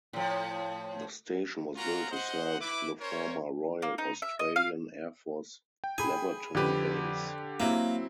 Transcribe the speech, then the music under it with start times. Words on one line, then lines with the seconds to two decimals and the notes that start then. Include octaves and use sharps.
The station was built to serve the former Royal Australian Air Force Laverton base.
0.13 A2 F3
1.76 C#4 F4 F#4 A#4 F#5 A#5
2.11 C5 D#5 F#5
2.60 E4 B4 D6
3.00 C#4 A#4 C5 C#5
3.82 A#3
3.98 D#4
4.22 E5
4.39 D#5
4.56 F5
5.84 G5
5.98 G#4 G#5 B5
6.55 F2 D3 G4 B4
7.60 F#3 A#3 C4 E4